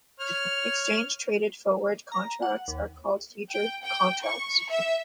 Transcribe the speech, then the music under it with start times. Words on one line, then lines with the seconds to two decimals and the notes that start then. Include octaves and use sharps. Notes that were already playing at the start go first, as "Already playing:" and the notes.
Exchange traded forward contracts are called futures contracts.
0.20 C#5 F6
2.12 A#5
2.42 F#5
2.68 D#2
3.51 G5
3.83 G5
4.24 C#6
4.70 E5